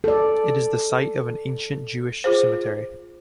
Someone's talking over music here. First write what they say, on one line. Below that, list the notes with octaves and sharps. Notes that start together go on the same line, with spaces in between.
It is the site of an ancient Jewish cemetery.
A4 D5
F4 G#4 C5